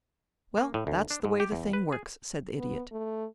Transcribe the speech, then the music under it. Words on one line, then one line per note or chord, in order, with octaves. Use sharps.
"Well, that's the way the thing works," said the Idiot.
A#3
A2
D2
D4
G#2
G4
E2
B4
G#4
B3
A3